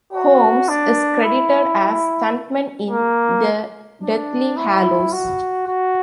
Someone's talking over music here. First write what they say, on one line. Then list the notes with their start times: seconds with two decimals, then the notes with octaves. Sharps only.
Holmes is credited as stuntman in "The Deathly Hallows".
0.13 F#4
0.69 D4
1.24 E4
2.91 A#3
4.02 D4
4.57 E4
5.12 F#4
5.68 F#4